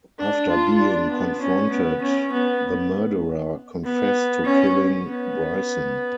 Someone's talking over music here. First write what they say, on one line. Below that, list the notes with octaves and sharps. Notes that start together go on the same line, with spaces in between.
After being confronted, the murderer confessed to killing Bryson.
D4
F4
D4
B3
C#4
B3
C#4
B3
B3
C#4
B3